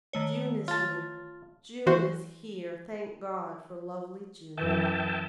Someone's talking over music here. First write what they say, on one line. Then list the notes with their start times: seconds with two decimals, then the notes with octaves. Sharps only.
June is here--June is here; thank God for lovely June!
0.13 D#3 A3 C#5
0.68 F4 A5
1.86 E3 F#4 C5
4.58 F#2 E3 E5 G5 A5